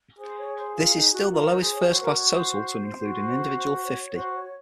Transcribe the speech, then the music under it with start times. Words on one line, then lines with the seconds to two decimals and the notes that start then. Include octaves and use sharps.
This is still the lowest first class total to include an individual fifty.
0.19 G#4 C5
0.38 C#5
0.56 C5
0.75 F4
0.94 D#4
1.13 F#4
1.31 F4 A#4
1.46 D#4
1.60 G#4 C5
1.70 C5
1.74 C#5
1.88 F#4 C5
2.02 A#4
2.16 C#5
2.32 C5
3.02 F#4
3.72 C5
3.86 C#5
4.00 C#5
4.15 F#4 C5
4.34 C#5